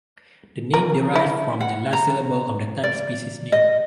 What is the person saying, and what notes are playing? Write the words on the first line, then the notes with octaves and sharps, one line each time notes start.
The name derives from the last syllable of the type species name.
A#4
E4
F#5
A#5
D5
D#5